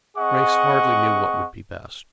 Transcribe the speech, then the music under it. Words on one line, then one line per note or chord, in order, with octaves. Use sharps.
Grace hardly knew what would be best.
C4 G#4 D#5 F#5 C#6